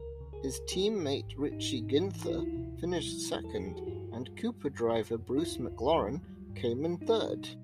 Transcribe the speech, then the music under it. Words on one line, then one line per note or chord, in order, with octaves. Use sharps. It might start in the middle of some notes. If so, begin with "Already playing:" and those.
His teammate Richie Ginther finished second and Cooper driver Bruce McLaren came in third.
Already playing: C#2 C#3 A#4
C#3
G#4
C#2
F3 G4
G#2
G#1
G#2 D#4
G#2
E3
F4
C#2 E4
B2
G3
F3
E2
A4
G#4
F3
G4
F#4
G2 F4
G3
G3
F#2
F#2
F#2
E4
D2 F4
D2
F#3
G3
G2
G3
G3 D#4
B2